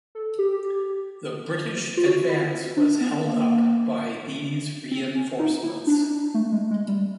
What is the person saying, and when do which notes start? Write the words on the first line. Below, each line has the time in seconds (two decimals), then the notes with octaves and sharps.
The British advance was held up by these reinforcements.
0.15 A4
0.39 G4
1.97 F4
2.06 F#4
2.29 E4
2.77 D4
3.01 B3
3.25 A#3
4.91 C4
5.15 C#4
5.39 D#4
5.63 E4
5.87 D4
6.03 D#4
6.10 D4
6.34 A3
6.52 G#3
6.71 G#3
6.88 G3